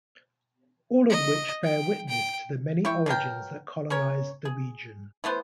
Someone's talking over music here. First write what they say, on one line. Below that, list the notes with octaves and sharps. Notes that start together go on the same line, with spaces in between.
All of which bear witness to the many origins that colonized the region.
D#5
G5
G5
E4 G5 C#6
B2 F#3 A#4 G5
C#4 A#4 C#5
G#4
E3 A3 B3 C5